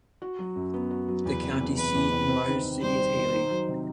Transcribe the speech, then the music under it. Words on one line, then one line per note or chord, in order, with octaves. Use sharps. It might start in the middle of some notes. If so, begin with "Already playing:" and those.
The county seat and largest city is Hailey.
F#4
F#3
F#2
B3
F#4
F#3
E2 B4
C3
E2
E3 B4
E2
C3
C4
D#3
C3
G3 C5
C4
D#3
D#4
F#3
C3